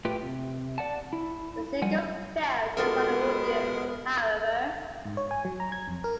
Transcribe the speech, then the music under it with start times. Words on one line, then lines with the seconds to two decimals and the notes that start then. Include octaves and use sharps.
The single failed to find an audience, however.
0.05 A2 F4 G4 B4 G5
0.23 C3
0.78 D5 F#5 A5
1.13 E4
1.82 F#2 F3 G3 F#5 G#5
2.77 B2 G#3 B3 D4 F4 A4 A#4
5.05 G#2
5.17 C#5
5.31 G#5
5.45 F#3
5.60 A#5
5.72 G#6
5.88 F2
6.04 A#4